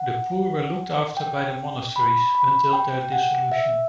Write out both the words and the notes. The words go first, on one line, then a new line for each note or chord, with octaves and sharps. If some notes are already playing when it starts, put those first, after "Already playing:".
The poor were looked after by the monasteries, until their dissolution.
Already playing: F#5
G5
B5
B5
G5
G5
F#5
E5